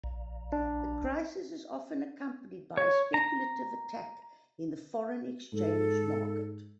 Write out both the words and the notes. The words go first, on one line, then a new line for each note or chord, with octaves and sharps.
The crisis is often accompanied by a speculative attack in the foreign exchange market.
A#1
D4
C#5
A#5
G#2 A4